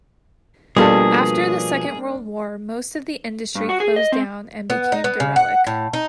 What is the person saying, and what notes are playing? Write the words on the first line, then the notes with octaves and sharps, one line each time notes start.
After the Second World War most of the industry closed down and became derelict.
B2 F3 G3 A#3 D4 G#4 A4
G2
F#4
G#4
D#5
C4
B3
D#4
B3
C#3
F#5
A2
D#4